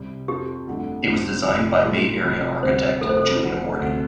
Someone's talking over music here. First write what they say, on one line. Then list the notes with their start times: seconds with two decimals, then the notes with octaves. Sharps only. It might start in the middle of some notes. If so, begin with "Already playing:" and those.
It was designed by Bay Area architect Julia Morgan.
Already playing: C2 C3 G3 C4
0.28 F2 F3 C4 F4 G4 A4
0.68 G1 F2 D3 A3 D4
1.06 F1 F2 C3 F3 C4
1.45 F1 F2 C3
1.84 A2 G3 F4 A4
2.24 F1 F2 F3
2.63 D2 C3 G3 C5
3.01 F1 F2 C3 A3 A4
3.09 C5
3.17 A4
3.41 F1 F2 D3
3.80 D2 C3 A3 C4